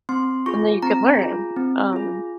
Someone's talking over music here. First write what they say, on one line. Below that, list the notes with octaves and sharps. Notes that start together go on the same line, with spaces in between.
and then you could learn, um.
C4 C6
F4 G#4 C#6
C4 A#5
F4 G#4
C4
F4 G#4